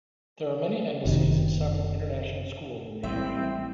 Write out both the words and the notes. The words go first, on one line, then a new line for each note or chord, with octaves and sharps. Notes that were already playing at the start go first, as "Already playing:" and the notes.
There are many embassies and several international schools in the area.
F#1 F#2 C3 D#3
A1 G3 G#3 C4 E4 E5